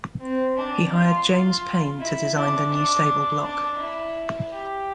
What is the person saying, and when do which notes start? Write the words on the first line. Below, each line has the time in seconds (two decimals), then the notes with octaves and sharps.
He hired James Paine to design the new stable block.
0.21 C4
0.57 D4
0.93 F4
1.28 F4
2.00 E4
2.35 D4
2.72 D4
3.43 D4
3.79 E4
4.51 G4